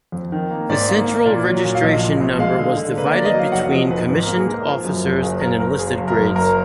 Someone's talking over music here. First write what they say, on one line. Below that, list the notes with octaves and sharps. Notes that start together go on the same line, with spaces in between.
The Central Registration Number was divided between commissioned officers and enlisted grades.
F2
D#3
A#3
G#2 D5
A#3
A#3
A#2 D5
F#3
A#2
F5
A#1 D#5
A#2
A#1
G#3 F5
D3
D3
A#3 B4
A#3 D5
D#5
F#3 F5
F1 F#5
F3 D#5
F1 B4
G#2 B4
A#3 A#4
G#4
G#2 A#4
F3
F#2
F#1
F#1 G#4
F#1 A#4
F#1 A#4
F#2 G#4
F#1
A#4
F#2
F#1 A#4